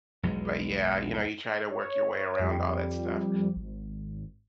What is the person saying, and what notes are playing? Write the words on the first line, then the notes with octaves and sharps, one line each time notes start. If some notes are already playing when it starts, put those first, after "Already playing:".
but yeah, you know, you try to work your way around all that stuff,
B1 E2 F#3 G#3
C#5
F2 G3
G#1